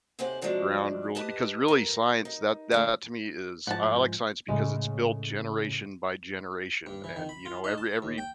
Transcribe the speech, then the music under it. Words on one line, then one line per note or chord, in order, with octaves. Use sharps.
ground rule because, really, science, that that to me is I I like science because it's built generation by generation, and, you know, every every
D#2 C3 G4 G#4 C5 F#5
C3 F3 F#3 G#3 D4
G4 B4 D#5 A5
A#4
D#4
D3 A3
G#2 F3 F#5 A5
A2 C#3 G#3
G2
E3
D#3
B5
F4
D#4
A5
D#2
G5